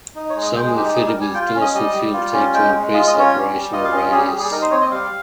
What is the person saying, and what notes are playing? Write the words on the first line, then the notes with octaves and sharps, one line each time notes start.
Some were fitted with a dorsal fuel tank to increase operational radius.
D#4
C#5
G#3
D#5
G#3 G5
G#4
D#4 G4
G4
G3 G#4
A#4
G3
G#5
F4 G5
F5
C#4
D#5
G3 D#5
G3
F4
C#4
G#3 G5
G#3
F4 D#5
D#5
C#4
C#5
G3
G3
F4 D#5
F5
C#4 D#5
G3 G#4
G#4
G3
G#4
D#4 A#4
C5
C4 C#5
D#5
G3 F5